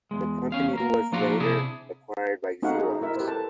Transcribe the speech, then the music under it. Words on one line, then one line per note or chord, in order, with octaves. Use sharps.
The company was later acquired by Xerox.
E2 G#3
E2 C#4 F5
A#3 A#4
F3 A#3 D4 F4 F#4 A#4
C3 D4 E4 G#4
C4 D#4 F#4 A4 F5 F#5
D#4 G#4
D#4
E4 A#4 E5
G4 B4 C5
A4 A5